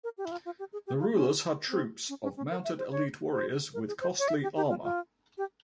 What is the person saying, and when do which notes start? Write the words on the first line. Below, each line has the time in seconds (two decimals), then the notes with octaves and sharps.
The rulers had troops of mounted elite warriors with costly armour.
0.04 A#4
0.18 G4
0.25 E4
0.32 F4
0.45 F4
0.59 G4
0.73 G#4
0.87 G4
1.00 F4
1.14 C#4
1.68 C4
2.09 C#4
2.23 C#4
2.37 C#4
2.51 A#4
2.64 E5
2.78 C5
2.91 C#5
3.33 C5
3.74 A#4
3.88 G#4
4.01 C5
4.19 C#5
4.28 E5
4.42 G4
4.56 G4
4.69 F4
4.83 F4
5.38 G4